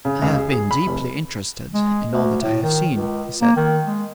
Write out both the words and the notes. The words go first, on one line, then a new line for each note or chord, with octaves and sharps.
"I have been deeply interested in all that I have seen," he said.
C#3
C#2
G#4
G#4
B5
F1
G#3
D2
A2
D#3
C#2
A#3
D#3
G#3